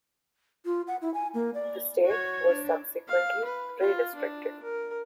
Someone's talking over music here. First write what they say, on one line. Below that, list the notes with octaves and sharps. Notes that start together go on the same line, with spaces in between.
The state was subsequently redistricted.
F4
F#5
E4
G#5
A#3
D5
F#4 C#5
D4
F5
B4
F4
D4
A#4